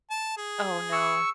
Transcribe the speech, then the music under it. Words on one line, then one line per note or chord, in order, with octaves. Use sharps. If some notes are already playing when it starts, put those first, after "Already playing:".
Oh, no.
A5
G#4
C#6 E6